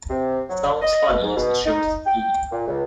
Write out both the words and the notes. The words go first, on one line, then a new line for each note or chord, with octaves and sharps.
"Sounds Funny" is the show's theme.
C3
F#3
D#5
B2
G#2
B2
D#4
G5
A#2
C#2